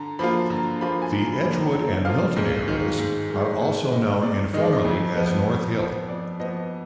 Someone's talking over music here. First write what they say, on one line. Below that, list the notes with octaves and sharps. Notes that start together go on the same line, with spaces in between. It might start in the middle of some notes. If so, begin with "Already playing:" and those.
The Edgewood and Milton areas are also known informally as North Hill.
Already playing: D3 A#5
F3 A#3 F4 B5
D3 A#5
F3 A#3 F4 B5
G#5
D3 A#5
B5
F3 A#3 F4
A#5
D3 A#5
F3 A#3 F4 F5
G#2
D#3 G#3
G#2
D#3 G#3
G#2 F#5
D#3 G#3 D#5
G#2 D5
D#3 G#3 D#5
D5
D#5
F2
F3 B3
F2
F3 B3
F2 D5
F3 B3 D#5